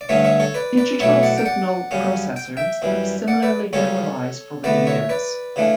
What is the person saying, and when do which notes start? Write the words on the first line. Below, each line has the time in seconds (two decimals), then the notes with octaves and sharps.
Digital signal processors have similarly generalised over the years.
0.01 D5
0.09 G2 D3 A3 C#4 C#5 E5
0.24 C#5 E5
0.40 A4 C#5
0.54 B4 D5
0.77 B4 D5
1.00 B1 B2 A3 E4 C#5 E5
1.23 D5 F#5
1.38 G5
1.46 D5 F#5
1.91 F#2 C#3 G3 C#4
2.36 G5
2.57 E5 G5
2.82 F#2 E3 G3
3.28 D5 F#5
3.42 B4 D5
3.73 C#2 C#3 G3 A4 C#5
4.64 E2 D3 A3 B4 D5
4.87 C#5 E5
5.09 B4 D5
5.56 C#3 E3 A3 D4